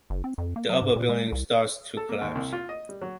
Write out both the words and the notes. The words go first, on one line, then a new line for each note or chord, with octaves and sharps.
The upper building starts to collapse.
F#1
C4
F2
A#3
F#3
G#2
A#2
G#3
C2
A4
A#3
D#2
C2
F4
D#5
G3
F#3